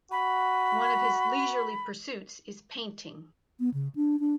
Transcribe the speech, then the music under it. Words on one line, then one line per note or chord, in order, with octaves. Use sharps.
One of his leisurely pursuits is painting.
F#4 B5
B3
C#3
D4
D4